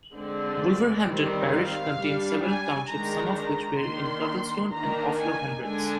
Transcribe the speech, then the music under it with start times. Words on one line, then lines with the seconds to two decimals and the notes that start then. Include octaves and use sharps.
Wolverhampton parish contained several townships some of which were in Cuttlestone and Offlow Hundreds.
0.14 D3 G#3 C4 D5
1.06 D#3 G3 C4
1.52 F5
1.97 G3 D4
2.43 G#5
2.89 D#3 G#3 D4 A#5
3.35 A#5
3.80 D#3 A#3 D4 C6
4.71 D#3 A#3 D4 A#5
5.17 G#5
5.63 D3 G#3 D4 G#5